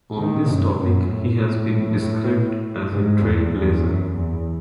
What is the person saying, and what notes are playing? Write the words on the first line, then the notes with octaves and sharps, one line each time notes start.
On this topic he has been described as a trailblazer.
D#3
F#2
F#2
A2
A2
G#2
E2
E2
F#2
E2